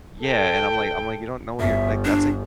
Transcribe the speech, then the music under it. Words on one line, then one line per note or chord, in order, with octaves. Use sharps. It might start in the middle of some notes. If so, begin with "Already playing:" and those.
Yeah, and I'm like I'm like, "You don't know what you're" like, that's, like
A4 G5
G1 E5
D4